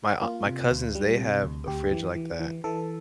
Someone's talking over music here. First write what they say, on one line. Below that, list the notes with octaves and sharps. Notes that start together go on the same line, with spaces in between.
my aun my cousins, they have a fridge like that.
A#3 F4
C3
D2
G3
C3
D2
D2 G4
E3
E3
E3
E3 A4